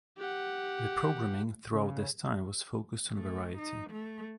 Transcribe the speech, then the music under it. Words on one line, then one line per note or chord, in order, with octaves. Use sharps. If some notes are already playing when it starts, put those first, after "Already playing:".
The programming throughout this time was focused on variety.
G4 F#5
C#3
A3
D#4
A3